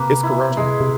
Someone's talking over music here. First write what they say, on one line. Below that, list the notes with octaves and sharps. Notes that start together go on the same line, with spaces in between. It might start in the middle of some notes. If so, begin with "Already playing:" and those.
it's corruption.
Already playing: C3 A#3 B4
E4
B2
C3 G#3
C3